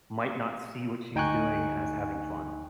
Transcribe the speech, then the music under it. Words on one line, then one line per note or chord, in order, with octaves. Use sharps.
might not see what she's doing as having fun.
D2 D#4 G5 G#5 C#6 F#6